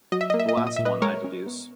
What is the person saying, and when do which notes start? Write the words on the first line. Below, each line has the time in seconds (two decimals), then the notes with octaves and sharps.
The last one, I deduce.
0.12 F#3 D#5
0.21 E5
0.30 A#3 D#5
0.40 E5
0.49 D#5
0.57 A#2 E5
0.67 D#5
0.76 A#2 E5
0.85 B4 D#5
1.02 G#3 A#4 C#5
1.24 C#4
1.46 B3